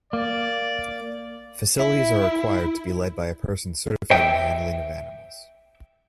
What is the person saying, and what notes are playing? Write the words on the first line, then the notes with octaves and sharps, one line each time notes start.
Facilities are required to be led by a person certified in handling of animals.
A#3 D5
E4
E5 G5